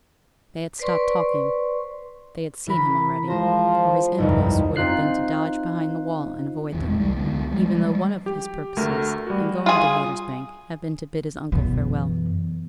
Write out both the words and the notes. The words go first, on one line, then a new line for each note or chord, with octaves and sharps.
They had stopped talking; they had seen him already, or his impulse would have been to dodge behind the wall and avoid them; even though one of his purposes in going to Haytersbank had been to bid his uncle farewell.
B4 C5 D5 C6 C#6
E3 A#4 B5
F3 G#3 C5 A#6
G1 C2 F2 D#4
C4 D#4 F4 F#6 C7
A#1 E2 E3
D1 C2 G#3
C2 G3
C#2 D3 B3
F3 G3 G#3
G4
D2 A3 A#4
G3 F#4
F4 G#4
F#2 B2 E3 B3